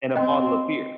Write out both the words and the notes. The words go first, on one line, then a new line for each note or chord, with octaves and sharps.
and a bottle of beer.
C4 D#5 G5